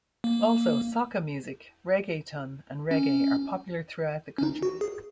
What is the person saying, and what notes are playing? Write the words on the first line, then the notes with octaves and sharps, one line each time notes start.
Also, soca music, reggaeton and reggae are popular throughout the country.
A#3
C#4
C#4
D#4
F#4
G#4